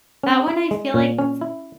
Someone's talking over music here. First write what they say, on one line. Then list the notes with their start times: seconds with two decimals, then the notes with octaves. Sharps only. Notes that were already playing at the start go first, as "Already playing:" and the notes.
that one I feel like,
0.23 C#4
0.48 E4
0.71 G#3
0.94 A#2
1.19 C#4
1.41 E4